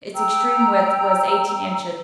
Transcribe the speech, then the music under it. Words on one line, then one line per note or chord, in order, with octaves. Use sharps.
Its extreme width was eighteen inches.
G5 A#5 E6